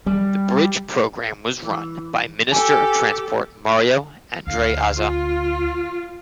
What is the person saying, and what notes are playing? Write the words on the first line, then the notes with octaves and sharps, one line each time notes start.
The bridge program was run by Minister of Transport Mario Andreazza.
G3
E3
G4 A4 G#5
D2 F5
F4